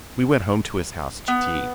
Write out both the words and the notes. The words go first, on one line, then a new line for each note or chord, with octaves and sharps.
We went home to his house to tea.
B3